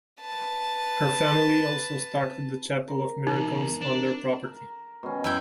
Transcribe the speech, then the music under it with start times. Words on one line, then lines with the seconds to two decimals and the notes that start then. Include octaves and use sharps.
Her family also started the Chapel of Miracles on their property.
0.21 B4 A5
2.88 A#4 A#5
3.27 E2 B2 D#4
3.81 D4
4.45 A#4
5.03 B2 D#3 C#4
5.24 F#2 E4 G5